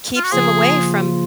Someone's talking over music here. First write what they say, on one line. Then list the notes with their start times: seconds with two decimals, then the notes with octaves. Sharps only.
keeps them away from
0.16 F4
0.24 F#4
0.32 C#3 F3 A#3 F4 G#4